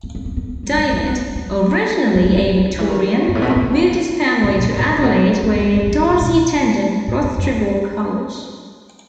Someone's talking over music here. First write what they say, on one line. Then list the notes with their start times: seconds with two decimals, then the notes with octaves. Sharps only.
David, originally a Victorian, moved his family to Adelaide where Darcy attended Rostrevor College.
0.03 B3
0.15 B3
0.25 B3
0.37 B3
0.63 G3
0.77 G3
0.93 A3
1.03 C4
1.07 B3
1.21 C4
1.36 B3
2.15 G3
2.24 A3
2.35 A3
2.46 G3
2.56 F#3
2.69 D#3
2.78 E3
2.88 D#3
3.28 G2
3.35 A2
3.42 B2
3.49 C3
3.56 D#3
4.44 C3
4.59 B2
4.74 A2
4.88 B2
4.98 A2
5.03 B2
5.32 F#3
5.43 C4
5.55 B3
5.76 G3
5.87 F#3
5.98 E3
6.10 C3
6.21 B2
7.08 A2
7.24 G2
7.38 F#2